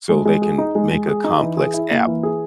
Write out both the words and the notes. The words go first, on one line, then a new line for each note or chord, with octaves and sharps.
so they can make a complex app.
G#3
G#3
G#4
D#4
G#3
G#3
G#4
D#4
E3
G#4
E4
A#3
E3
G#4